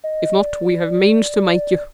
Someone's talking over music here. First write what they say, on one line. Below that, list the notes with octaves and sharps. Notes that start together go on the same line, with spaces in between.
If not, we have means to make you.
D#5
D5